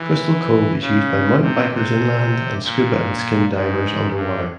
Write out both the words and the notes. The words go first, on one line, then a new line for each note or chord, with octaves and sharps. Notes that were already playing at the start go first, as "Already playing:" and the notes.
Crystal Cove is used by mountain bikers inland and scuba and skin divers underwater.
Already playing: E3
C#3
C3
C3
A#2
G#2
G2